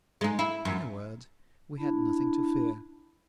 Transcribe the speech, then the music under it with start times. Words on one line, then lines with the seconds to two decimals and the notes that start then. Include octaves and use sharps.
In a word, we had nothing to fear.
0.21 G#3 D#4
0.39 E4
0.65 F#2
1.79 D4 E4